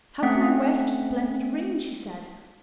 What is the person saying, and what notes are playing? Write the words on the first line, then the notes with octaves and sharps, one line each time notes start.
"How can I wear such a splendid ring?" she said.
A3 C4 C#4 F#5 B6